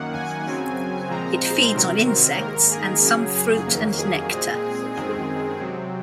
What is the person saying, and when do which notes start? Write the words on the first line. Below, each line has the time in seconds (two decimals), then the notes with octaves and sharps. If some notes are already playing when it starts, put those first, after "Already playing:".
It feeds on insects and some fruit and nectar.
Already playing: F#2 D#3 A#3 F#5
0.13 G#5
0.45 F#2 C#3 F#3 C4
1.09 A#2 F3 G#3 C4 A#5
1.42 C5
1.73 C3 D#3 F#3 C4 A#4
2.37 G#2 D#3 A#3 A#4
2.70 G#4
3.02 F#2 C#3 F#3
3.34 G#4
3.66 F2 D#3 F#3 A#3
3.98 G#4
4.30 A#2 G#3 C4 G#4
4.62 G#4
4.94 F#2 D#3 G#3 C4 G#4
5.59 C3 F#3 C4